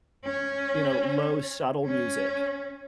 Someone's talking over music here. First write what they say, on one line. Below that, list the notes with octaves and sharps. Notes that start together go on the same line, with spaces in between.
you know, low subtle music.
C#4
C#4